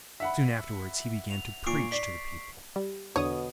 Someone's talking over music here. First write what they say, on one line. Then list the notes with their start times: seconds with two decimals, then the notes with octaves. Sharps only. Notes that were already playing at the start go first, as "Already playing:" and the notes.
Soon afterwards he began to preach to the people.
0.20 E5 F#5 B5
1.31 F7
1.66 A#2 C#6 C7 D7
1.92 D5 B6 C7
2.76 G3
3.16 E2 B2 D3 C#5 D#6